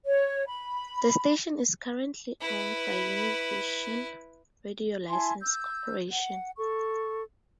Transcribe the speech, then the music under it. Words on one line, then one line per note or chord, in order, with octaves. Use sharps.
The station is currently owned by Univision Radio License Corporation.
C#5
B5
E4 B4
E4 G#5 A5 C6
E6 G6
F#5
A4 C#6